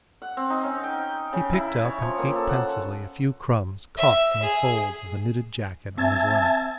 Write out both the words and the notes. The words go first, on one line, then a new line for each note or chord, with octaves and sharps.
He picked up and ate pensively a few crumbs caught in the folds of the knitted jacket on his lap.
F#5
C4
D#4
C#4
G5
C#3
E4
C#5
F3
A#3
A4
F#5
E5
G#4
C4 E5 G#5 A5